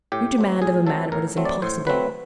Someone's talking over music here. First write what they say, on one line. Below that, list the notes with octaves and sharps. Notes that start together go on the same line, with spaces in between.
You demand of a man what is impossible.
A2 G4
F#3 A3 C4
A2 G#4
F#3 A3 C4 A4
A2 A#4
F#3 A3 C4
D5
A2 C5
F#3 A3 C4 B4